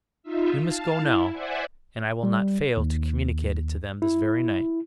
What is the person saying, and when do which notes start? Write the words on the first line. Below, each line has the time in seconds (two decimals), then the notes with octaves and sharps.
"We must go now, and I will not fail to communicate it to them this very night."
0.23 D#4 F4 E5
0.61 F5 A5
0.96 E4
1.32 C5 D5 E5 F#5 G#5
2.23 G3
2.77 D#2
4.02 E4